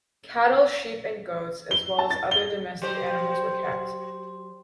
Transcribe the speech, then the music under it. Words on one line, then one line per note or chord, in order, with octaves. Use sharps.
Cattle, sheep, and goats, as well as other domestic animals were kept.
G7
A5
A6
G7
F#3 G4 C5